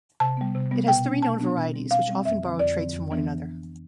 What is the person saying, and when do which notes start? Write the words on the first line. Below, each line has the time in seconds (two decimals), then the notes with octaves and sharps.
It has three known varieties, which often borrow traits from one another.
0.20 C3 A5
0.37 G3 B3
0.55 C3
0.71 G3 B3
0.88 B2 G5
1.05 B3 D4
1.22 B2 A5
1.40 B3 D4
1.57 B2
1.74 G3 C4
1.91 B2 F5
2.08 G3 C4
2.25 F2 E5
2.43 D3 F3 C4
2.59 F2 D5
2.77 D3 F3 C4
2.94 F2
3.11 E3 B3 D4